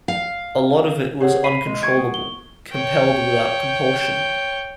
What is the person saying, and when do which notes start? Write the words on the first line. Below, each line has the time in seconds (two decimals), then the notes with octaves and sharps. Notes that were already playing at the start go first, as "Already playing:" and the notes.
A lot of it was uncontrollable-compelled without compulsion.
0.08 F5
1.21 G4 G#4 C#5 F#5
1.44 B5 C7 D#7
1.66 G#3
1.82 C#6 G#6 D7
1.97 B3
2.14 G7
2.72 C#5 G5